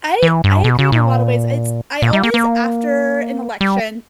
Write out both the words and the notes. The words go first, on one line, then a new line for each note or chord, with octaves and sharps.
I I agree in a lotta ways. It's I always after an election,
E3
G2
B2
C#3
A#2
A#2
G3
A#3
A#3
G3